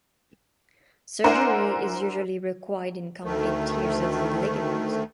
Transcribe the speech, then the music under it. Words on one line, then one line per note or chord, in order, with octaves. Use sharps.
Surgery is usually required in complete tears of the ligament.
D4 E4 A#4 C5 F#5 G#5
D2 D#3 A3